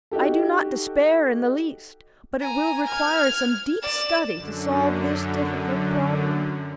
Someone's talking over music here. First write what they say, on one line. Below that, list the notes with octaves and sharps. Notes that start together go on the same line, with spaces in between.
I do not despair in the least, but it will require some deep study to solve this difficult problem.
D#4 F#4 G4 A4
G#5 A#5
F6 G#6
D5 E7
F#2 D3